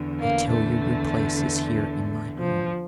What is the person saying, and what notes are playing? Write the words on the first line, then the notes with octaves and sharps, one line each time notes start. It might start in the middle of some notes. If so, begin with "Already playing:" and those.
I tell you, your place is here in my home.
Already playing: E2 D3
A#3
A3
F3